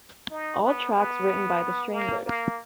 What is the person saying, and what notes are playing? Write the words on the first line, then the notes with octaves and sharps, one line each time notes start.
All tracks written by the Stranglers.
D#4
B3
B3
A#3
A#3